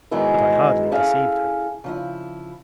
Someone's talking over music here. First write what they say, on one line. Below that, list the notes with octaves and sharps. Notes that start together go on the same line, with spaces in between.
But I hardly deceived her.
G#2 D#3 F#3 G#3 B3 E4
C#4 E4 G#4 A4 E5 F5
C#3 F3 E4